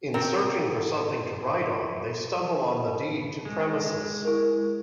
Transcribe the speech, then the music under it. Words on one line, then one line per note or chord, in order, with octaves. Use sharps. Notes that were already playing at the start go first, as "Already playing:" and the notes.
In searching for something to write on, they stumble on the deed to premises.
B3 C4 F#4 A#4 G5
G#3
E4 A#4